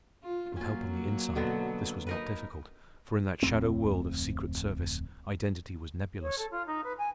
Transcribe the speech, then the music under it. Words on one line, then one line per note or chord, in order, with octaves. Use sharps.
With help on the inside, this was not difficult, for in that shadow-world of secret service identity was nebulous.
F4
F#3 A#3 C#4 F4
B2 D3 B3
D#4 A#4 B4
D1 F2 A3 C4
C#5
A4
F4
D#4
B4
G#5